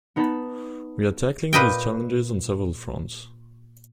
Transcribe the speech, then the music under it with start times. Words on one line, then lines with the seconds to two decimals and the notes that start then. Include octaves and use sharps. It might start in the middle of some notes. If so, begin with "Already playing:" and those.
We are tackling these challenges on several fronts.
0.16 B3 D#4 B4 A5 B5
1.53 A#2 B4 D#5 G5